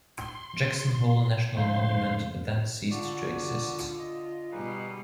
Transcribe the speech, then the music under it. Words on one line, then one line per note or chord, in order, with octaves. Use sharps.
Jackson Hole National Monument then ceased to exist.
C6
F2 C#3 G#3 A3 C5 F5 C6
D3 F4 F#4 D5
D#5
B2 G3 D#4 G#4 B4